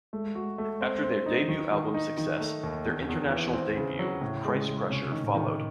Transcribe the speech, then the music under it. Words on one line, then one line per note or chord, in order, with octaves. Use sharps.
After their debut album's success, their international debut, "Christcrusher", followed.
G#3 A3
F#4
A3
C4
C4
D#4
E3
D#3 F#3
D#3
D#4
D#3
A3
D#2
E2 D#3
E2
E3
C4
C#3
F#3
A2 C#3
G#3
C#3
G#3
C3 C#4
D#3
A2
D#3